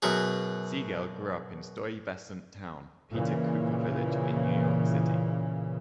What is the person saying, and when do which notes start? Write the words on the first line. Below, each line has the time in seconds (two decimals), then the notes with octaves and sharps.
Siegel grew up in Stuyvesant Town-Peter Cooper Village, in New York City.
0.02 F#2 B2 F#3 G#4
3.14 A#2 C#3 E3